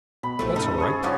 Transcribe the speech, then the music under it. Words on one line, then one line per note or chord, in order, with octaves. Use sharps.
That's all right.
B2 B5
A#1 A2 C3 E3 A3 E5
G2 C#3 D#4 A4 F6
G#4 D#5 C#6
D2 F3 C#4 F#4 D5 F5